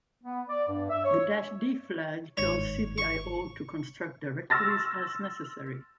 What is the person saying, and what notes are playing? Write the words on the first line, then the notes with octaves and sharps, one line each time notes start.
The "-d" flag tells cpio to construct directories as necessary.
B3
D5
G2
E5
C#5
G1 G#2 D#3 C#5
C#6
C6 C#6 E6 F6 A6 A#6